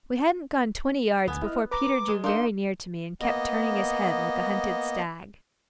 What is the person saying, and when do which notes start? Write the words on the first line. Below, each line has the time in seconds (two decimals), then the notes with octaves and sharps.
We hadn't gone twenty yards before Peter drew very near to me and kept turning his head like a hunted stag.
1.28 D2 B3 G#5
1.42 E4 D#5 F6
1.71 B4 A#5 D6
2.08 G#3
2.24 A#3 D4 D#4 C6
3.21 A#3 B3 D#5